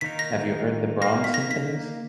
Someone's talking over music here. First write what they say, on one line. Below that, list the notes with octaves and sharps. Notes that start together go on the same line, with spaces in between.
Have you heard the Brahms symphonies?
D#3 A#3 D#4 A#4 B6
A#6
A#3 D#4 A#4 F5 A#6
B6
A#6
B6